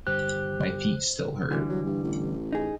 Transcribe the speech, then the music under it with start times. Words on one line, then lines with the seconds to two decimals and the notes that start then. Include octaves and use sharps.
My feet still hurt.
0.07 G2 D3 G3 G4 C5 F#6
1.51 D2 D3 E3 G3
1.69 F#3
1.86 G2
2.04 A1
2.53 D#4 G#4